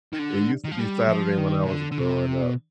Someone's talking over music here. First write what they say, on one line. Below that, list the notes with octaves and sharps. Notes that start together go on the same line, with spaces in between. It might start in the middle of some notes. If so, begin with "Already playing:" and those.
It used to be Saturday when I was growing up.
D#3
D3
D#3
F3
G3
F3
D#3
C3
D3
D3
C3
B2